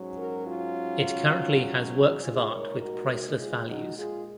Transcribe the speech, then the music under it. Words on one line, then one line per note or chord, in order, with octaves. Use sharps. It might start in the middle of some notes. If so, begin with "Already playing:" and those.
It currently has works of art with priceless values.
Already playing: G#2 F#3 C#4
F#4 A#4
F4
A#2 G#3 D#4 F4 G#4
A#4 C#5
F#4 A#4
F4 G#4
D#4 F#4
F4 G#4